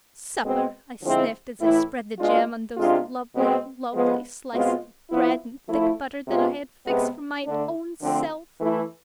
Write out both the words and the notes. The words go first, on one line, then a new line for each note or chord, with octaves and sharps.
"Supper," I sniffed, as I spread the jam on those lovely, lovely slices of bread and thick butter that I had fixed for my own self.
B2 G#3 C4
D3 F3 G#3 C4 E4
A2 E3 A3 E4
B2 G#3 D4 F4
C3 G#3 D4 F4
B2 G#3 C4
F3 G#3 B3
B2 G#3 C4 F4
F3 B3 E4
F3 A3 E4
C3 G#3 B3 F4
C3 G#3 B3
D3 A3 D4
D3 F3 A3 C4
E3 A3 E4